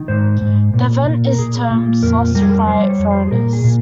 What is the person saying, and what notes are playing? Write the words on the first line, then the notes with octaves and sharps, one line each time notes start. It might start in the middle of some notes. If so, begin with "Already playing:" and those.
The event is termed "Sloss Fright Furnace".
Already playing: D#3
G#2 C5
G#2
A#2
A#2
A#4
A#2 G#4
A#2
F2 A#4
G3 A#4
G#4
A#4
G3 C5
C#5
F2
C5
G#4
A#2 A#4
G#4
A#2